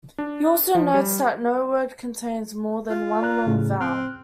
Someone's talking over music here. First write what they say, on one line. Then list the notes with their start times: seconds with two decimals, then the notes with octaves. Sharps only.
He also notes that no word contains more than one long vowel.
0.18 D4
0.75 F3
0.94 G3
2.90 F4
3.22 D5 A#5 F#6
3.47 A2 C#3 A3
3.81 C4 F6 F#6